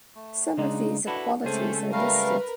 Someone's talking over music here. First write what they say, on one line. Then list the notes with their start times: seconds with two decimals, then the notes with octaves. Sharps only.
Some of these equalities are listed.
0.15 A3
0.57 C#3 G#3 D4 D#4
1.07 D4 E4 F#4 A4 B4 B5
1.44 C#2 A3 C4 C#4 G#4 C5
1.92 G3 A3 A#4 B4 F5